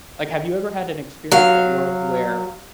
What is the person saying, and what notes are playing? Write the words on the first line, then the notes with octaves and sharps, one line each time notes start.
like, have you ever had an experience at work where
F#3 F5